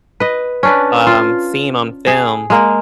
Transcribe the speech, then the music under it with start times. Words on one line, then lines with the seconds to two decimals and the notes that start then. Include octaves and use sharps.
um, seen on films.
0.20 B4 D#5
0.63 C#4 D4 B4
1.07 F4
2.07 G#4
2.50 G#3 A#3